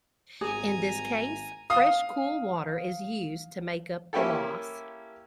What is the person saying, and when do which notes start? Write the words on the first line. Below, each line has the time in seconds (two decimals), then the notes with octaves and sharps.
In this case fresh cool water is used to make up the loss.
0.41 G#1 G#4 G#5 A#5
1.70 F5 D#6
4.13 A#3 C#4 E4 G4 A4